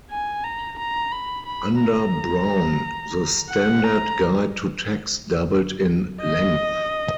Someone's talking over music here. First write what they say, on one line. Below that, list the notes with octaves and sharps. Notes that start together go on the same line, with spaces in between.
Under Brown the standard guide to tax doubled in length.
G#5
A#5
A#5
B5
B5
A#5
F#5
A#5
D#5